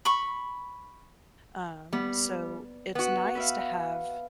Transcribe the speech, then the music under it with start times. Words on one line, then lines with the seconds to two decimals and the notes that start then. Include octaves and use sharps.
Um, so it's nice to have
0.05 B5 C#6
1.93 G3 B3
2.95 B3 F#4
3.35 B4 E5 F5